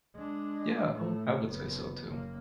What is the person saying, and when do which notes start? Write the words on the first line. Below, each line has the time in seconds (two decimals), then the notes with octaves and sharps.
Yeah. I would I would say so too.
0.15 G#3 D4
0.93 A2 A3
1.44 F#1 B3
2.07 F#1 A#3